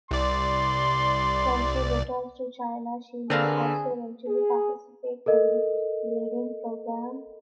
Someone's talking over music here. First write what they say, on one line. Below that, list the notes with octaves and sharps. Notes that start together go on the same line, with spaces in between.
When she returns to China, she may also eventually participate in the breeding program.
C2 D5 C6
D3 A3 C4 D4 G#4 A#4 B4 F5
G#4
A4 A#4 D#5